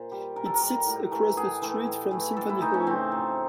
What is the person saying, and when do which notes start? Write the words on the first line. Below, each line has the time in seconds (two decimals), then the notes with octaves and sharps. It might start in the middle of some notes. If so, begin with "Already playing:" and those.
It sits across the street from Symphony Hall.
Already playing: A#2 C5
0.12 G3
0.36 A#2 A#4
0.46 A4
0.54 A#4
0.61 G3
0.86 A2
1.12 E3 A3
1.37 A2 G#4
1.62 E3 A3
1.87 A2
2.11 E3 A3
2.37 A2 A4
2.49 E4
2.62 E3 A3 D#4
2.74 C#4
2.86 C#3 C4
3.11 F3 A3